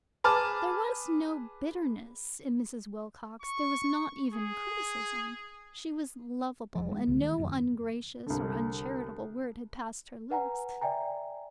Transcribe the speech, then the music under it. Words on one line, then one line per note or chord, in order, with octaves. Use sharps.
There was no bitterness in Mrs. Wilcox; there was not even criticism; she was lovable, and no ungracious or uncharitable word had passed her lips.
G#4 B4 A5 D6 F6
C#6
G#4
E1 F3
G#3
C2 C#3 A3
D#3
F1 F#2
C2 D3
B4 F#5 G#5 A#5
D5 E5 G5 G#5 A#5